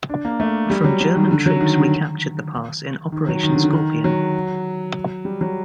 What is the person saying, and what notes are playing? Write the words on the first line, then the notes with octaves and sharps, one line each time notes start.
From German troops recaptured the pass in Operation Skorpion.
D4
A#3
A3
G3
F#3
F#3
D#3
D3
F#3
D#3
D3
D#3
F#3
D#3
D3
D3
D#3
F#3
G3
F#3